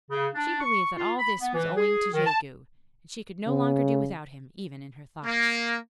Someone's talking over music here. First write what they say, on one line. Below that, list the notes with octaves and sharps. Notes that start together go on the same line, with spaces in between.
And she believed that all this was owing to Jegu, and she could no longer do without him, even in her thoughts.
C#3
D4
C#6
F4
B5
B3
E3
G#4
D#3
A5
C#3
A#3